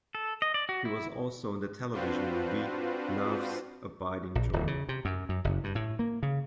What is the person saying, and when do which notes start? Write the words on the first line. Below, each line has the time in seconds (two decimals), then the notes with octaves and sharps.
He was also in the television movie, "Love's Abiding Joy".
0.15 A4
0.42 D#5
0.54 D5
0.69 F#4
0.85 E4
1.93 C4 D4 F4 F#4 B4 C5
4.35 A#1
4.53 D1
4.67 C#3
4.89 C3
5.05 F#2
5.29 F#2
5.44 F#1
5.64 G2
5.75 A2
5.99 A#3
6.23 C#3